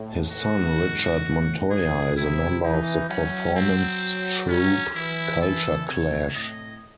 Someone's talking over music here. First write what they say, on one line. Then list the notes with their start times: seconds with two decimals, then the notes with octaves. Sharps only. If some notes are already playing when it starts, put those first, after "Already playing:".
His son Richard Montoya is a member of the performance troupe Culture Clash.
Already playing: A2
0.32 A2 F#4
0.78 G#2
1.25 A2
1.71 A2 G#4
2.17 C3 E4
2.63 E3 D#4
3.09 F#3 C#4
3.55 C4
4.48 F#3 C#4
4.95 E3 E4
5.41 A4
5.87 C3 C#5
6.33 A2 D#5